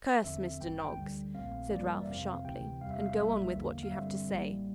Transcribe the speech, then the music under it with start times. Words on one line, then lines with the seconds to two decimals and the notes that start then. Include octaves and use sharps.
'Curse Mr Noggs,' said Ralph, sharply, 'and go on with what you have to say.'
0.24 E2 D3 F3 C4 E5
0.61 A1 G2 E3 G5
0.78 G5
0.98 D2 D3 G3
1.35 A#1 A#2 A3 C4 F5
1.71 G2 E3 G3 A#3 D5
1.84 A#4
1.96 D5
2.03 E5
2.08 F2 C3 F3 C4 F5
2.44 D2 C3 E3 G5
2.81 E2 C3 G3 F5
2.91 E5
2.99 F5
3.18 A#1 A2 G3 A#3 E5
3.55 E2 D3 F3 A#3
3.83 F5
3.92 G2 D3 G3 C4 E5
4.28 A1 A2 G3 A#3